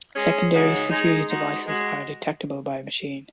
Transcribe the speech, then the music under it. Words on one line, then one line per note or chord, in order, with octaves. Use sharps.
Secondary security devices are detectable by a machine.
G#3 C#4 G#4
C#3 G#3 D#4 F#4
G#3 D#4 G#4
G#3 D#4 F#4
G#3 F#4